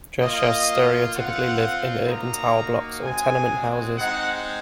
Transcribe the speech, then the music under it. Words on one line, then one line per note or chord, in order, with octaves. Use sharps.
Dresiarze stereotypically live in urban tower blocks or tenement houses.
A#3 F4 D#5
C4 F4 F#5
A#3 D#4 F#4 A#5
G#3 C4 F#4 G#5
G#3 C4 D#4 F#5